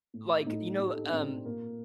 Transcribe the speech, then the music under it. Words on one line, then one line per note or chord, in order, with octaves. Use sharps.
like, you know, um,
A2
A2 D#4
A2 G4
A4
D#4
D4
A2 C4
A#2 A#3